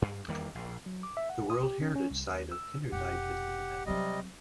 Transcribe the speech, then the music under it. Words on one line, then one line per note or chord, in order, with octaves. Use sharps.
The World Heritage site of Kinderdijk is in the gemeente.
G2
E2 D#3 G3 A#3
A#1
F#3
D6
E5
F#5
D#6
G4
C#4
C#4
C2
D#2
E6
F1 B2 G4 F#5
C3 F#3 G3 C4 D#5